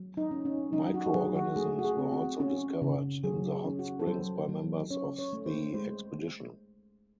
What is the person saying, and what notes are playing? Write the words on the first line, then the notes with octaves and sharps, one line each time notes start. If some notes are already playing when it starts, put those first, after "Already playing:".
Microorganisms were also discovered in the hot springs by members of the expedition.
Already playing: F#3
D#4
C#4
C#4
F#3 D#4
F#4
F#4
F#3 G#4
F#4
A3 G#4
F#4
G#4
C4
F#4
C#4
C#3
F#3 G#4
G#4
C#4
F#4
A4
F#3 C5
F#3
C#4 C#5
C#5
A3
C5
G#3 C5